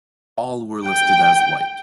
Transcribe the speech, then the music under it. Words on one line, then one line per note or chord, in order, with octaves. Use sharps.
All were listed as white.
G5